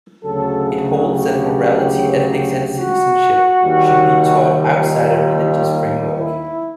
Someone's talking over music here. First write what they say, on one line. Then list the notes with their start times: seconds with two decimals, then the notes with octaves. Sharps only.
It holds that morality, ethics and citizenship should be taught outside a religious framework.
0.23 D2 C#3 F#3 A4
0.65 G#4
1.08 G4
2.78 F#4
3.63 D#2 D#3 G3
4.48 F4
6.18 E4